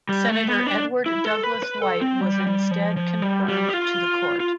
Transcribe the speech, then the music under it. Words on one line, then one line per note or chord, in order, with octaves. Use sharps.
Senator Edward Douglass White was instead confirmed to the Court.
G3
A3
B3
D4
E4
A4
B4
B4
A4
C4
G3
G3
F3
F3
G3
G3
G4
F4
F4